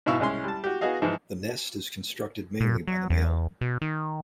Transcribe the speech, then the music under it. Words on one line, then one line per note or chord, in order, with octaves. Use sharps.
The nest is constructed mainly by the male.
G#2 B2 E4 F5 C#6 E6
C2 G#3 C#4 C6
G3 A5
F#4 G4
B3 F#4 G#4 D#5 F5
G#2 E3 F3 G#3
A#2
F#3
E2
B2
D#3